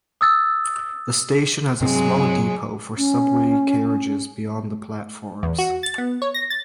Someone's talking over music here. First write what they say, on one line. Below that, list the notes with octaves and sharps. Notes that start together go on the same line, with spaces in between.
The station has a small depot for subway carriages beyond the platforms.
D#6 E6 A6
G2 C3 F#3 G#3 C4
C#4
E2
F#4
A6
B3
C#5
A#6
A6